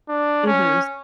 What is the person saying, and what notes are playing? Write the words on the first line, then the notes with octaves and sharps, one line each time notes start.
Mhm. S
D4
C#4